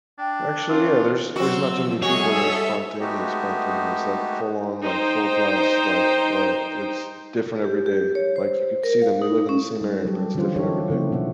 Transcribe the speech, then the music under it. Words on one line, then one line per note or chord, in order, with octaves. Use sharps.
Actually, yeah, there's there's not too many people that are spontaneous, spontaneous, like, full on, like, full blast, like, uh, it's different every day, like, you could see them, they live in the same area, but it's different every day.
D4 G5
C#4 F4 A#4 D6
F#3 C4 F#4 E6
F3
G3 G#3 F#4 G#4 A4 C#5 E5 E6
G#3 A3 B3 D#4 F#4 G4
D#4 C5 G5
G4
G4
C#5
C5
A#4
F5
D#4
C#4
G3 D#4
F#3 G3 G4 A4
D3 E3 C#4 D4 F4 C5
D#4 E4 G4 A4 C#5
C#3 F3 A#3 D4 E4
B2 A#3 B3 E4 E5 F#5